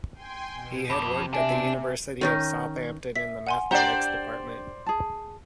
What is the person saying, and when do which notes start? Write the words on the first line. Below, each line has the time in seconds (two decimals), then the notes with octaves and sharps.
He had worked at the University of Southampton in the Mathematics Department.
0.14 G5 G#5 C6
0.52 B2
0.90 F2 C3 B5 D6
1.33 D4 E5 G#5
2.21 D#3 C#4 D#4
3.16 E5 B6
3.47 F#5 G#5 C6
3.71 D4 G4 C5 D5 F#5 A#5
4.86 G#4 A5